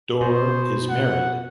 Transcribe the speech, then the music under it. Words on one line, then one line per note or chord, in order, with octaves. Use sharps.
Dorr is married.
B2 C5
F#5